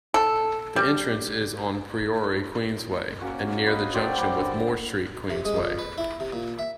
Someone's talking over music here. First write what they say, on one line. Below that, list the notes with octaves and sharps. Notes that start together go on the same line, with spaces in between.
The entrance is on Priory Queensway, and near the junction with Moor Street Queensway.
A4
G3
A#3 C#4 F#4
B4 D#5
F#3 C5 D5 G5
G3
D3
C3
G#3
F2
B4
E4
C3
A#2
E5